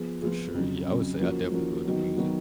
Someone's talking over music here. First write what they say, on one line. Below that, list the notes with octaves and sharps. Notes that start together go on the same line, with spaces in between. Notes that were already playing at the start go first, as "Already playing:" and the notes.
For sure. Yeah. I would say, I definitely love the music.
Already playing: F3 B3 F4 G#4
F3 B3 F4 G#4
F2 C#3 F#3
F2 C#3 F#3
F3 A#3 C#4 F#4
F3 A#3 C#4 F#4
D#3 F#3 B3 F#4
D#3 F#3 B3 F#4